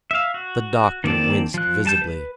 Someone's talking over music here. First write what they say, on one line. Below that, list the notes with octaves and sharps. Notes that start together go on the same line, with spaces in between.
The doctor winced visibly.
E5 F5
F#4
D#3 A#3 C4 D5 A5
F3 F#6
G3 A5 G6
B4